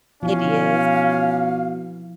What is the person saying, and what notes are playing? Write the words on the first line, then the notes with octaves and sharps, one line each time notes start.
It is.
B2 F3 C#4 E4 F5